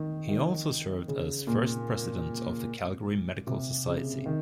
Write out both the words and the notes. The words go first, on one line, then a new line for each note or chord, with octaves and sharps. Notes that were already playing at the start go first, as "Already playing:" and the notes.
He also served as first president of the Calgary Medical Society.
Already playing: D#3
D#3
C#3
A#2
C3
C#3
D#3